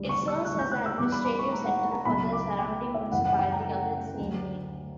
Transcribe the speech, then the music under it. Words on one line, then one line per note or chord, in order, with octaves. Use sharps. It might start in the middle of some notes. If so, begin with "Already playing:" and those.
It serves as the administrative centre for the surrounding municipality of the same name.
Already playing: D2 C#3 G3
C#6
E6
F#6
G6
F#6
E6
E2 B2 G3 D6
B5
B5
C#6
A#5
F#5
F#5
A#5
C#2 B2 F#3 B5
D6
G5
E5
F#2 C#3 E3 G3 F#5
F#5
G5
A#5
D2 D3 F#3